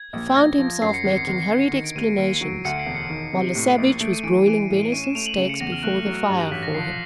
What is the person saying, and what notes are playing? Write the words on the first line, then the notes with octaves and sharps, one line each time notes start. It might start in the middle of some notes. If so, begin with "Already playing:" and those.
He found himself making hurried explanations, while a savage was broiling venison steaks before the fire for him.
Already playing: G#6
A#1
A#1 A#6
F3
F#2 C7
C#7
G#1 C7
C#7
G#1 C7
C#7
D3 C7
D#3 C#7
D7
D#2 D#7
D#2 D7
F#3
D2 C#7
C7
E1
C#7
D#3
C3
A2
A#1
A3 D7
D#7
E3 D7
E3 D#7
A2
C#4 D#7
E7
A3 F7
F#7
C#3 F#7
C#7
E2 A#6
F6
A3 F#6
F#3
G2
A1 B6
A#6
F3 C7